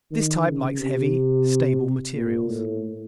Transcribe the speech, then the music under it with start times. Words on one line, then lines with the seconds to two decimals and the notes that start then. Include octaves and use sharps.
This type likes heavy, stable materials.
0.12 D#3
0.46 C#3
0.79 C3
2.15 A#2
2.49 A2